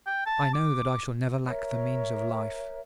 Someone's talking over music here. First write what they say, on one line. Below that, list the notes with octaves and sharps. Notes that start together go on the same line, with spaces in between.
"I know that I shall never lack the means of life!"
G5
A5
D6
A#4 C#5 E5